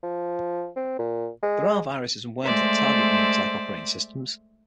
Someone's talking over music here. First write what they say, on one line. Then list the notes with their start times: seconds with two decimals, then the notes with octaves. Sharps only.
There are viruses and worms that target Unix-like operating systems.
0.03 F3
0.76 C4
0.99 A#2
1.42 G#3
2.44 G#3 A3 C5 D5 E5